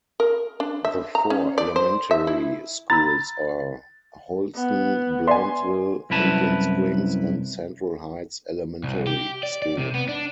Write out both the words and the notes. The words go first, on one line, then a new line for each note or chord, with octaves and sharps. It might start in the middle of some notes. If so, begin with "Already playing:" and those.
The four elementary schools are Holston, Blountville, Indian Springs, and Central Heights Elementary School.
A#4
D4
E5
A#5
C#4
D5
C5
E5
E4
A#5 B5 E6 A6
B3
D5 E5 G#5 C6
C2 F#2 E4 B4 A5
C2
G4
D5
D5
C3
B3
D4